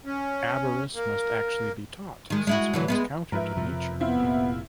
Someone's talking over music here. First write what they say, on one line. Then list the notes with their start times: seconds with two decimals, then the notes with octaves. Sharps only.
Avarice must actually be taught since it runs counter to nature.
0.06 C#4
0.95 A#3
2.30 D#3 G#3
2.47 G#3 E4 F#4
2.74 D3 E3 F#3
2.88 G#3 A#3 B3
3.32 G#2 F3 A#4 B4 E5
3.55 F2 C3 F3
4.00 B3 C4 E4 F4
4.18 F1 A#2